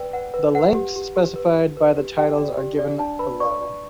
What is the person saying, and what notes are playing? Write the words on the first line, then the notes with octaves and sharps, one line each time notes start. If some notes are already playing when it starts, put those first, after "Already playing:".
The lengths specified by the titles are given below.
Already playing: B4 D5 G5
B4 F#5
B4
B4 F#5
G4
G4
G4
B4
B4
B4
G4
G4 G5
D5
G4
D5
D4 A5
B4 B5
D5 C#6
D5